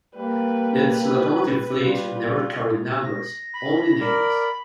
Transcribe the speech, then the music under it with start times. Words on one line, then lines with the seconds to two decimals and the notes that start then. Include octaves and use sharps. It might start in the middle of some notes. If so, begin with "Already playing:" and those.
Its locomotive fleet never carried numbers, only names.
0.17 G3 A#3 B4
1.83 G3 F4
3.04 A#6
3.54 B5
4.01 A#4 D5 B5